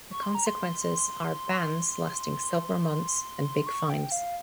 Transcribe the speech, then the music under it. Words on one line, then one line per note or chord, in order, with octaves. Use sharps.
The consequences are bans lasting several months and big fines.
C#6
C6
A#5
C6
C6
C#6
G5
F5